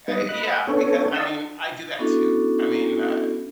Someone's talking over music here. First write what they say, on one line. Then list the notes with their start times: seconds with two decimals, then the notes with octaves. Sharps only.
I yeah, because, I mean, I do that too. I mean, uh,
0.08 G3 B3 D#4 B4 D#5
0.29 D#5 B5 F#6
0.67 B3 C#4 D4 A4 C#5
1.14 D5 D#5 F5 A5 D#6 E6
1.99 B3 C#4 D4 E4 F#4 A4